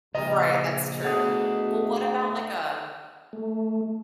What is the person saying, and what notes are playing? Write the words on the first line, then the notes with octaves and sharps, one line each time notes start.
Right, that's true. Well, what about, like, a
A#1 C#3 D#5 A#5
B2 A3 D4 G#4 F#5 D#6
A3